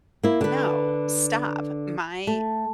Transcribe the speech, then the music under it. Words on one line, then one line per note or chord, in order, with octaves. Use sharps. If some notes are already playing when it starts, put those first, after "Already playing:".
No. Stop. My
A#3 E4
D3 B4
A3